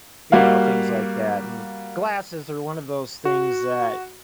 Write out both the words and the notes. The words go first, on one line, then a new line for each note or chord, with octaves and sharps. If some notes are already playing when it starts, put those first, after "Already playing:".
you know, things like that, and glasses are one of those things that,
G3 A#3 F#4 F5
F#4